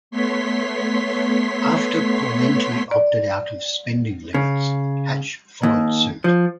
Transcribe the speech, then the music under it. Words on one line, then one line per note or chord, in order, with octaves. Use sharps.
After Pawlenty opted out of spending limits, Hatch followed suit.
A3 B3 C#5 C6 B6
D5
C#3
D#2
F3